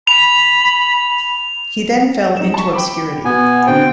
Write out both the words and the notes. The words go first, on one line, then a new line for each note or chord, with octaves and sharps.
He then fell into obscurity.
B5 F7
D#4 E7
A5 C#6
G5 B5 D6
B2 B3 G#5
B2 D3 C4 G5